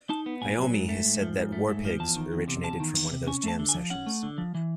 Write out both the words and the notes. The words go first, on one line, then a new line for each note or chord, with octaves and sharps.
Iommi has said that "War Pigs" originated from one of those jam sessions.
D#4 A5
B3
A#2 G#5
F#3
G#2
A3
G#2
F3
G#2
A3
G#2
F3
E2 A5
D#3
E2
C3
E2 A5
D#3
E2
C3
C#4 G#5
A3 A5
D3
G#5
F3
C#4 F#5
A3
D3
F3
E3